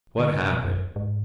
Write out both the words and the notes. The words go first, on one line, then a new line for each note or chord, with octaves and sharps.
"What happened?"
D3
C#3
B2
F#2
G#2